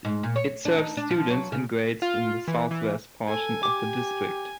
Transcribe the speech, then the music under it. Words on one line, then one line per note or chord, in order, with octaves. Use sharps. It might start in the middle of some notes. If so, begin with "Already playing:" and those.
It serves students in grades in the southwest portion of the district.
G#2
A#2
C#5
D4
D#4
D4
F3
F#3
C#3
F4
E3
E3
A4 G#5
G4 D6